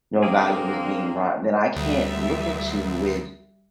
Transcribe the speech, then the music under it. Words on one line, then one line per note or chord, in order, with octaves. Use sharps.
no value is being brought, then I can't look at you with
D3 A#3 C4 G#4 G5 D6
D2 G3 E5